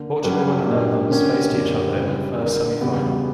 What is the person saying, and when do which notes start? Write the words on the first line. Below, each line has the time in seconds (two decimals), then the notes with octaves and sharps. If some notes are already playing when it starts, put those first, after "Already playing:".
Portugal and the Netherlands faced each other in the first semi-final.
Already playing: D3 A#3
0.23 G2 F#3 C#4 G4 B4
0.66 A#2 A#3 D4 G4
1.09 D3 A#3 C#4 G4
1.52 F#2 D3 A#3 D4 G4
1.94 C#3 G3 C#4 E4 B4
2.38 D3 A#3 D4 A#4
2.80 E2 C#3 G3 B3 F#4